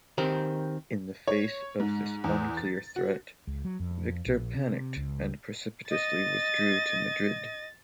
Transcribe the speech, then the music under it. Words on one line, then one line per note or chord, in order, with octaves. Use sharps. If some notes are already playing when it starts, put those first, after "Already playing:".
In the face of this unclear threat, Victor panicked and precipitously withdrew to Madrid.
D#3 C4 G4 A#4
C#5
G#2
E2
A6
F#4
C#2
F#3
F2
A#1
C3
C#2
D#5 A6